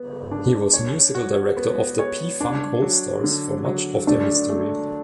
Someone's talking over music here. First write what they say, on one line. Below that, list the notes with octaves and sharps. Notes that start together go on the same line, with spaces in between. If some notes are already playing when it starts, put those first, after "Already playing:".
He was musical director of the P-Funk All-Stars for much of their history.
Already playing: B3
D4
C#5
F#4
B3
C#5
D4
F#3
D3
F#3
A3 D4
A3